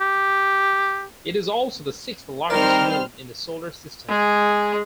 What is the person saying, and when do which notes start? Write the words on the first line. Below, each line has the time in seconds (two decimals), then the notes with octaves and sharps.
It is also the sixth-largest moon in the Solar System.
0.01 G4
2.50 D#3 G3 C4 A#4 C5 D5 F6
4.08 G#3 G#4